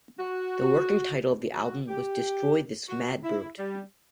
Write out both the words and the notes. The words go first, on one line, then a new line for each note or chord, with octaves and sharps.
The working title of the album was Destroy This Mad Brute!
F#4
F#4
G4
F#4
E4
G3